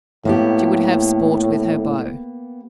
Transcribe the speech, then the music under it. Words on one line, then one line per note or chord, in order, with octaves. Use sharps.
She would have sport with her bow.
A2 A#3 B3 G4